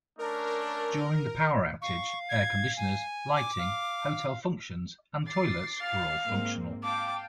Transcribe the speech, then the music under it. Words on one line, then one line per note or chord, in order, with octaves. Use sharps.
During the power outage, air conditioners, lighting, hotel functions, and toilets were all functional.
A3 C#4 D4 A#4
F5 C#6
G#6
G#5
D6
F5
D6 A6 C7
F5
G#2 A#3 C4
F5 G5 A5 D6